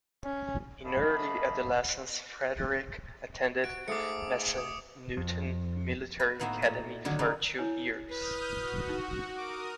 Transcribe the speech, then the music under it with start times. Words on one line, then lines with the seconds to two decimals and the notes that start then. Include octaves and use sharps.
In early adolescence, Frederick attended Massanutten Military Academy for two years.
0.24 C#4
0.85 F#2 A#3 A4 D#5 B5
3.64 F#4 D7
3.88 G#2 A3 F5 D6 D#6 C#7
4.58 D#6
5.17 F2
6.20 B4
6.40 A2 A#3 B3 D#4 E4 F#4
6.62 A#2 A3
7.05 D3 D#3 F#3
7.19 C#3 G3 D#4 B4 D5
7.59 E4 C#5 G#5
8.10 B4 D#6 F6 G6
8.57 F#4
8.89 D#4
9.37 A#4 D6 D#6